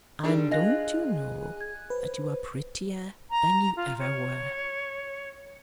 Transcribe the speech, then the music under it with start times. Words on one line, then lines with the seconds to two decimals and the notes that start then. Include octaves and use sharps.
"And don't you know that you are prettier than you ever were?"
0.24 D3 G3 D4 D#4 G#4 A#4
0.51 F4 D#5 G#5 F#6 A#6
1.61 G#6
1.90 B4 C5
3.30 A#5
3.76 F4
3.99 C#5